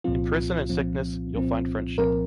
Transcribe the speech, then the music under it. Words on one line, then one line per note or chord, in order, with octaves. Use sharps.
In prison and sickness, you’ll find friendship.
C2 A#2 F3 C4 F4
C2 A#2 F3 C4
C2 A#2 F3 C4
C2 A#2 F3 C4 A#4